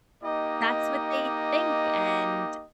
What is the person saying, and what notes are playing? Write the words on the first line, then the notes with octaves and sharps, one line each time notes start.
That's what they think. And,
A#3 D#4 G4 D#5